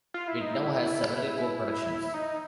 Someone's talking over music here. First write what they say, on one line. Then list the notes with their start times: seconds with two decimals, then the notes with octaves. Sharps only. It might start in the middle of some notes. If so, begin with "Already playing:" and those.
It now has several co-productions.
0.14 F4
0.28 E4
0.41 D#4
0.54 E4
2.14 D#4